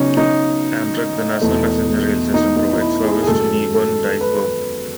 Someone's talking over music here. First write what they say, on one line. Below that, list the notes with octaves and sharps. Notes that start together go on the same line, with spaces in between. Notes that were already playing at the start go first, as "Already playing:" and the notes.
Amtrak, the national passenger rail system, provides service to Newbern-Dyersburg.
Already playing: C#3 F#3 B3 C#4 D#4
D#4
E2 B2 A3
D#4
D#4
D#4
E4
G#4
G#4
F#2 D#3 G#3 A4
A4
B4